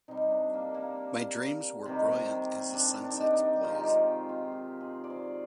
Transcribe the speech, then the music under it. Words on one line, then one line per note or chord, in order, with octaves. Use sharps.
My dreams were brilliant as the sunset's blaze.
C3 G3 D#4
D4
A#3
A#3
C3 D#3 G3
D4
D4
D#4
D4
D#4
C3 D#3 G#3 F4
G4
F4
G4
G#4
D5
C5